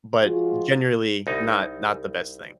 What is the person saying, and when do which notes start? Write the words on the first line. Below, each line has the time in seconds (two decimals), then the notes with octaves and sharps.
but generally not not the best thing.
0.22 F3 G#3 F4 F#4 G#4
1.27 C2 D#4